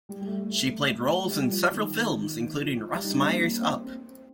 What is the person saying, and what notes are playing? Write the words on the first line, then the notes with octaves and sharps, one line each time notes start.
She played roles in several films, including Russ Meyer's Up!
G3
G3
A3
A3
G3
F3
D#3
F3
G3
D#4
D4
C4
A#3
C4